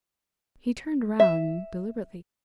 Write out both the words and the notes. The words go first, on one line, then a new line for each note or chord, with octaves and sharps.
He turned round deliberately.
E5